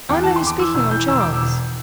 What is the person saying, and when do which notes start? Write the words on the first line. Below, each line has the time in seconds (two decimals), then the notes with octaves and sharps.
I am only speaking on chance.
0.09 E2 G5
0.23 E3 A5
0.36 C6
0.42 E2 D6
0.59 E3 E6
0.75 E1 E6
0.91 E3 G6
1.08 E1 E6
1.20 E1 D6
1.33 E6
1.42 E1